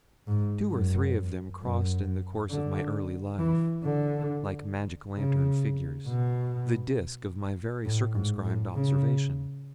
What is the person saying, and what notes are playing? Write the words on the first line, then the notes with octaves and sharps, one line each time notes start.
Two or three of them crossed in the course of my early life, like magic-lantern figures, the disk of my very circumscribed observation.
G#2
F#2
F#2
D3
E3
D3
C#3
B2
A2
G#2
A2
C#3